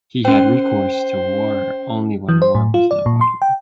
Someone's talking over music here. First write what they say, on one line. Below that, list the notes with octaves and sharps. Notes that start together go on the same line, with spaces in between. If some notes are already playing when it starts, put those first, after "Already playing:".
He had recourse to war only when war was unavoidable.
C#4 C5 G5
E3
C5
A2
F4
D5
A#2
C6
G5